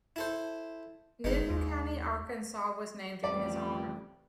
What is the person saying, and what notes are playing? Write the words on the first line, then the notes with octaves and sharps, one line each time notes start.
Newton County, Arkansas was named in his honor.
E4 A4 C5
G1 G#3 D#4
D#2
A1 F2 G3 D5